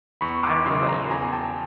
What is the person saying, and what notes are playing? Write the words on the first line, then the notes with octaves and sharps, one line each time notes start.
I don't know about you,
E2 B5 C#6
C6 D6
C#3 F#3 C6 D6
A#5 C6
E2 G#5 A#5
G5 A5